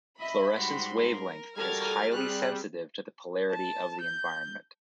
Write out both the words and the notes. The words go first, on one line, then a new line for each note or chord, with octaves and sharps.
Fluorescence wavelength is highly sensitive to the polarity of the environment.
D#5 E5 B5
G#2 G3 F#4 G4 C6
A#4
G3 F#4 A4 A#4 A#5 F6 G#6 A6
G3 C4 G#4 F#6
A5
G6